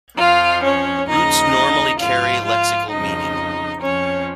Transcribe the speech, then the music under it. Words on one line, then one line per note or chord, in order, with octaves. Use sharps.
Roots normally carry lexical meaning.
F2 F3 F4 F5
C#4 C#5
D#2 C#3 F3 D#4 D#5
G#2 F3 F4 F5
F4 F5
F2 C#3 F3 D#4 D#5
F2 F3 C#4 C#5